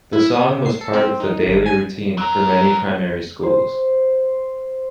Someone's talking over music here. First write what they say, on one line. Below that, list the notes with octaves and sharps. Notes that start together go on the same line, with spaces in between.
This song was part of the daily routine for many primary schools.
E4
D#6
C3
C7
A4
C4
D#4
G#1
G#5
F#3 A#4
C5